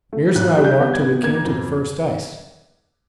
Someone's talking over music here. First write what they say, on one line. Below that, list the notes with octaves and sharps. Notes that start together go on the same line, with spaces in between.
Meares and I walked till we came to the first ice.
A3
B1 F#6
G3
G6
B3
G#6
B3
A#3 G#6
F2